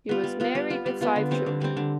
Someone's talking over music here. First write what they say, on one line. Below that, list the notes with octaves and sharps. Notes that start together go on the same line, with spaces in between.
He was married with five children.
B3 F4
G3
B3 F4
G3
B3 F4
G3
B3 F4
D3
G3 C4
D3
G3 C4
D3